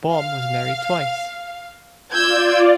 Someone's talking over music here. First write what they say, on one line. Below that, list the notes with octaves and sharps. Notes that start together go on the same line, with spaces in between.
Baum was married twice.
F5
F4 D5 E6 G6 G#6